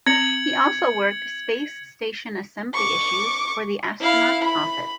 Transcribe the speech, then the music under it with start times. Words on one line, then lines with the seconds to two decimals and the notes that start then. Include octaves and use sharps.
He also worked Space Station assembly issues for the Astronaut Office.
0.06 C4 G#6 C#7 F#7
2.74 C#6 D6
4.00 E4 F5
4.43 B5